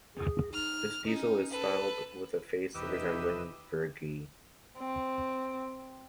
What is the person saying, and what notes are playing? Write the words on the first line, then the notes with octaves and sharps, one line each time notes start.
This diesel is styled with a face resembling "Virgie".
G#4
D#4 F6
C#4 D#4
A4 B4
E2 C3 D#4 G4 B4 D#5 E5 E6
C4